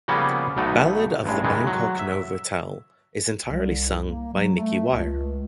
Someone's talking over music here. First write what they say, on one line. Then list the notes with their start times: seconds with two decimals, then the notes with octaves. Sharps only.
"Ballad of the Bangkok Novotel" is entirely sung by Nicky Wire.
0.08 C#3 F3 G3 A#3 B3 C#4
0.56 B1 B2 A3 B3 D#4
1.24 A1 G2 G#3
1.44 D#3 E3 G#3 A3
1.67 F#3
1.99 E5
3.45 C2
4.05 A#3
4.33 F#3
4.57 A3
4.91 C#2